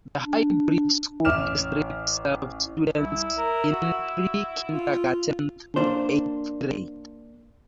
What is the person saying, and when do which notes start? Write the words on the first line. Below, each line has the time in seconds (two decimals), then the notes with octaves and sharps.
The High Bridge School District serves students in pre-kindergarten through eighth grade.
0.24 D4
1.25 A1 C#5 E5 D6 F6 E7
2.97 C2 E4
3.38 A#4
3.71 F#4
4.16 F#4
4.72 F4
5.76 A#3 D4 C5